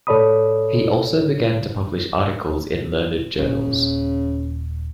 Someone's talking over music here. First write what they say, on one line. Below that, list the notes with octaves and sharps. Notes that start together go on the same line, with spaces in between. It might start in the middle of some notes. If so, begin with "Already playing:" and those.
He also began to publish articles in learned journals.
A2 A4 C#5 D5 B5 D#6
D#1 C#3